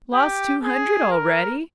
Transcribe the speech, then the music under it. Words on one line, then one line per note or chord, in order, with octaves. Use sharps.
Lost two hundred already?
G4
G#4
A#4